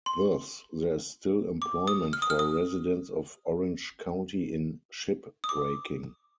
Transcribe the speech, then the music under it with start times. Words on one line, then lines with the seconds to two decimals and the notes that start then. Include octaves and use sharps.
Thus, there is still employment for residents of Orange County in shipbreaking.
0.06 C6
1.62 D6
1.88 D#6
2.13 F6
2.22 D#6
2.30 F6
2.39 D#6
5.44 D#6
5.49 D6